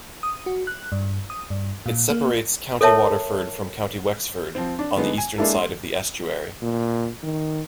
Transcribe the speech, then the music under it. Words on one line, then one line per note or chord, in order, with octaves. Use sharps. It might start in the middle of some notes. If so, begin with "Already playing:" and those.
It separates County Waterford from County Wexford on the eastern side of the estuary.
D#6
F#4
F#6
G2
D#6
G2
A#2
A#3
A4 A#4 C#5 E5 A5
F3 C4
D4
D3 G#3 B3 D#4
G#5
G#3 A#3 D4 E4 A4
C6
A#2
D#3